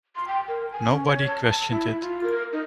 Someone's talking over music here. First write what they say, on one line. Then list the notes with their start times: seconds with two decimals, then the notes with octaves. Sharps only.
Nobody questioned it.
0.16 C6
0.27 G5
0.48 A#4
0.72 G#5
0.91 C#4
1.06 C#5
1.27 A5
1.49 A5
1.71 E4
2.01 F4
2.23 A#4
2.53 D#4